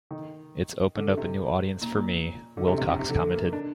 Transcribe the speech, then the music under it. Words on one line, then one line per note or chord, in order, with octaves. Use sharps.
It's opened up a new audience for me, Willcox commented.
D#3
D3
C3
A#2
A#2
D3
C3
C3
C3
C3
D3
A#3
D4